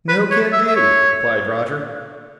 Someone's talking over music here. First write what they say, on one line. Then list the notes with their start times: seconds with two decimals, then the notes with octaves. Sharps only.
"No can do," replied Roger.
0.08 B4
0.31 C#5
0.53 E5
0.67 E5
0.76 C#5